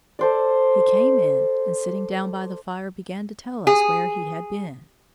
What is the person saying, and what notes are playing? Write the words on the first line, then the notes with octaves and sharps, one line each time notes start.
He came in, and sitting down by the fire, began to tell us where he had been.
A4 C5 D5
G#4